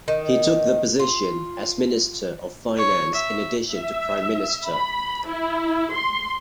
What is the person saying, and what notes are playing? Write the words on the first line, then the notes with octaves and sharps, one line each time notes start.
He took the position as Minister of Finance in addition to prime minister.
D#3
F4
C#5
E5
E5
B5
E4
C6